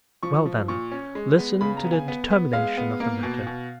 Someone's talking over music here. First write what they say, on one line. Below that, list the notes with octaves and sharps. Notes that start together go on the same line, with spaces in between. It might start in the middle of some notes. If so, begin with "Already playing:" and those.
'Well, then, listen to the determination of the matter.
F3 C#6
F3
A#2 C#6
C#4
G#3
B3
C#3 B5
A#5
B3
G#5
B3
B3
G#3 F5
B3
A#3
B2
B2